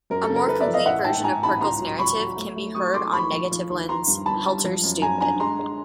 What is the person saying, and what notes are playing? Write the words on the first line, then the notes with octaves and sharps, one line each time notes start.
A more complete version of Pirkle's narrative can be heard on Negativland's "Helter Stupid".
F#2 A#4
A4
C#3
A#4
F#2 A4 B4
D5 E5
F3
D#5 F5
A1 E5 F#5
G#2 G5 A5
G#2 G#5 A#5
A1 A5 B5
C#2 A#5 C6
F#3
C#2 B5 C#6
F#3
A3
A3
F#3 C#6 D#6
A3 C6 D6
D#2 B5 C#6
F3
F3
D#2
D#3 A#5 C6
G2
G1 A5 B5
G3
F3
F#2
F#2 G#5 A#5
D3 G#5 A#5
G#3 A#5 C6
G#3